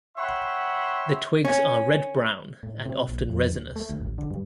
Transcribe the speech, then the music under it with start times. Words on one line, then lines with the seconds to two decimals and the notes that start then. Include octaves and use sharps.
The twigs are red-brown and often resinous.
0.17 C#5 E5 F#5 G5 B5 C6
1.45 C#4
2.63 A2
2.86 C3
3.08 A#1
3.30 F2
3.52 D2
3.76 A3
3.90 D2
4.02 A1
4.18 D3
4.31 G2